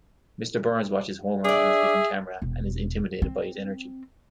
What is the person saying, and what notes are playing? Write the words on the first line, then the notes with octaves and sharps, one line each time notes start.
Mr. Burns watches Homer on his hidden camera, and is intimidated by his energy.
D4 G#4 D5 E5
E1
C4